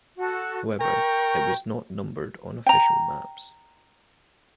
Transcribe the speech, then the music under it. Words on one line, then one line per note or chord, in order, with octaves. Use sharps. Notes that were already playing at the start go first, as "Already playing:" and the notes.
However, it was not numbered on official maps.
F#4 A4
A#4 G5 C#6 G6
G5 A#5